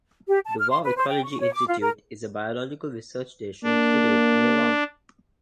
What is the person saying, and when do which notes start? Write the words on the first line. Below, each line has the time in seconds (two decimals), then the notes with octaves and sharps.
The Wau Ecology Institute is a biological research station situated near Wau.
0.28 G4
0.45 A5
0.59 F6
0.70 C6
0.83 B4
0.97 C5
1.10 G5
1.24 C#6
1.40 C#5
1.53 D6
1.68 F4
1.81 A#4
3.64 A#3 D4